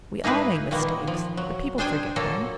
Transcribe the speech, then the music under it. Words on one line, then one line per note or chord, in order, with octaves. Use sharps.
We all make mistakes . . . but people forget them.
A#3 D#4 E4 G#4 B4
A#2 D#3 A#3 B3
F3
F#3
D4 G#4 C5 G5 G#5
A#2 F#3 A#3 A4